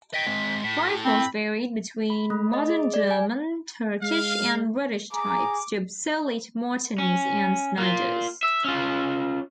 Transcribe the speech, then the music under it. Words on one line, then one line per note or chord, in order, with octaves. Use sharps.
Rifles varied between modern German, Turkish and British types, to obsolete Martinis and Snyders.
D#5 G5 B6
G#3 C4
A2 B6
C4 B5
B5
A3
D#5
G#4
D5
G#5
G#3 F5
G#4 A#5 D6
C#4
A#3 F4
E5
C#4 F4